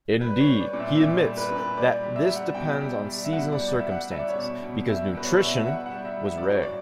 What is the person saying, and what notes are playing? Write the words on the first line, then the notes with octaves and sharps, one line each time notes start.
Indeed, he admits that this depends on seasonal circumstances, because nutrition was rare.
G3 B4
C#5
G3
D5
A#2
E5
E5
A#2 D5
D5
G3
B4
A#2
B4
G3 D5
G3
E5
G3
F#5
B2 G5
G3
G3
E5
B2 F#5
D5
G3
D5
E5
G3
F#5
G3 E5
D5
C#5
B2 D5
B2
G3 E5
B2 B4
C#5
D5
B2 E5
E5
G3 F#5
F#5
G3
E5
G3
E5
D5
F#3
C#5
D5